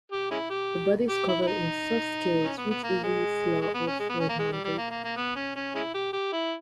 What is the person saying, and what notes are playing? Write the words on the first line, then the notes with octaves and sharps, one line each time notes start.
The body is covered in soft scales which easily slough off when handled.
G4
G#3 C#4 E4
G4
G4
E4
E4
D#4
C#4
B3
B3
A#3
G#3
G#3
B3
C#4
G#3
B3
C#4
A#3
G#3
G3
G3
A#3
A#3
A#3
B3
C#4
C#4
G#3 C#4 E4
G4
G4
E4